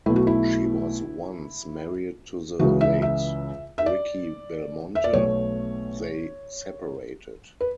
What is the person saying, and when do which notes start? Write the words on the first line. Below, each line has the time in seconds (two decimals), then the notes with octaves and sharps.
She was once married to the late Ricky Belmonte, they separated.
0.06 B1 B2 A3 E4
0.16 F#4
0.27 E4
2.59 C#2 C#3 E3 F#4
2.81 E5
3.02 E5
3.78 E5
3.86 D5
4.95 E5
5.04 D5
5.13 B1 B2 A3 C#5
7.61 B4